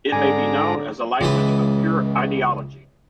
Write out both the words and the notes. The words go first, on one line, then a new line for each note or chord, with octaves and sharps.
It may be known as a language of pure ideology.
G#2 D3 D5 G#5 A#5
C#2 C#3 E3 G#3 B4